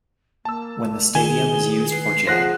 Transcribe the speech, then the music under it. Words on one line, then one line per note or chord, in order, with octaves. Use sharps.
When the stadium is used for J.
A#3 A5 E6
D#3 G#4 G#5 G7
B4 C7
F3 G#4 C5 F#5 F#6 A#6